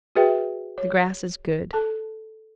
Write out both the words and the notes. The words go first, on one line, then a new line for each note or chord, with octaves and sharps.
The grass is good.
F#4 G#4 B4 E5 G5
C#5
A4 A5